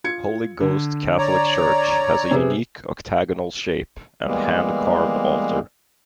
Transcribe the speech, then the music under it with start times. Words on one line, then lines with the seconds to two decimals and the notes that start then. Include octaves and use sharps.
Holy Ghost Catholic Church has a unique octagonal shape and hand-carved altar.
0.04 F4 G#6 C#7
0.60 D3
1.18 C#5 D5 A#5
2.31 C3 B3 G#4
4.25 E3 G3 G#3 A#3 B3